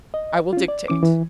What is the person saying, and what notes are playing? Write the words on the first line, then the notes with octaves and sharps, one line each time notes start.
"I will dictate."
D#5
C#4 F4
D5
E3 C#4 D6
E3